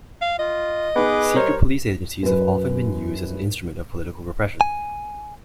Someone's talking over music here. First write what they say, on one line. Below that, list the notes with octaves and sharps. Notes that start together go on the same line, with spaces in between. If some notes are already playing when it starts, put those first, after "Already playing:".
Secret police agencies have often been used as an instrument of political repression.
F5
F4 D#5
B3 D#4 G#4 B4 D6
G3 A#4 C5 C#5
F#2 B4
G#5